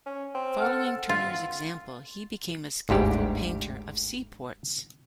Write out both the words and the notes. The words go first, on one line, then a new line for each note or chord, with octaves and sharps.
Following Turner's example, he became a skillful painter of seaports.
C#4
C4
A4 F#5 F6
F4
G1 D2 G#2 G4